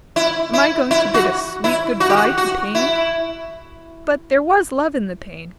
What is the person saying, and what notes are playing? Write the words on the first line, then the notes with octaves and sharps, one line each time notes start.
Am I going to 'Bid a sweet good-bye to Pain?' But there was Love in the Pain.
E4
E4
E4
F#4
E4
F#4
G4
F#4
F#4
E4